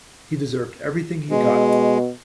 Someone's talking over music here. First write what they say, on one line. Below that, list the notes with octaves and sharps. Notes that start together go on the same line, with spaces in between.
He deserved everything he got!
B2 G#3